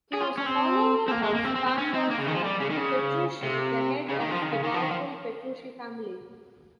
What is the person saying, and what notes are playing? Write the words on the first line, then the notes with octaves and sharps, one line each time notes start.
He was a follower of Pandolfo Petrucci, the head of the powerful Petrucci family.
G#4
F4
C#4
C4
C4
A#3
G#3
A#3
C4
C4
C4
C#4
C4
A#3
C#3
D#3
F3
G3
C#3
D#3
C#3
C3
C#3
D#3
F3
D#3
C#3
D#3
F3
D#3
F3